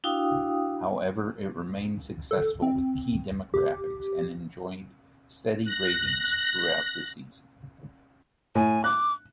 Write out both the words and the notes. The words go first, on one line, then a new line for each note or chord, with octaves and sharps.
However, it remained successful with key demographics and enjoyed steady ratings throughout the season.
D4 E4 F#4 F5 G5 D#6
A4
C4
G4
F#6 A#6
A2 G#5
D6 F#6